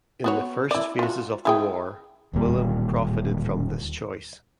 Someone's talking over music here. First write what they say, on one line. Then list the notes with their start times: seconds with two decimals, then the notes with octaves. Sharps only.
In the first phases of the war Willem profited from this choice.
0.24 B3 F#4 C#5
0.71 E4 D5
0.99 F4 F#4
1.45 E4 G#4 G5
2.33 D1 D#2 A#2 G3